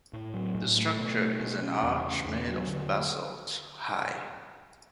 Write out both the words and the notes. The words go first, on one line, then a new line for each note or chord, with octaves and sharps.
The structure is an arch made of basalt, high.
A2
F#3
A2
A3
B2
A3
B2
C#4
E2
C#3
E2
F#3
D3